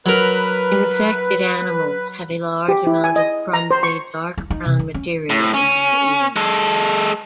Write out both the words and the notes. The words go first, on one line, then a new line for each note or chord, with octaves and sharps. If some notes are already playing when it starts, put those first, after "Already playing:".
Infected animals have a large amount of crumbly dark brown material in their ears.
F#3 A#4 B4
G4
E4
G#5
D#5
A#5
C5
C#6
E4
D#4
C3
D3
C#4
A2
C#4
G#3 A4